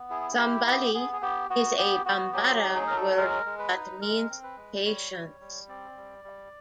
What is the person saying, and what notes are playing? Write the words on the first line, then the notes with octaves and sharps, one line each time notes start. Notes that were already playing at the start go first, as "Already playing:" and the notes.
"Sabali" is a Bambara word that means patience.
Already playing: B3
E4 G#4
G#4
E4 G4
B3 G4
B3 G#4
G#4
B3 G4
B3 F#4
B3 G4
B3 F#4
F#3 G4
G4
D#4
G#4
F#3 A#4
A4
G#3 A#4
G#3
B4
D#4
G#3 A#4
C4
B4
G#3
G3 C#5
G3
G3
C4 D5
G3
G3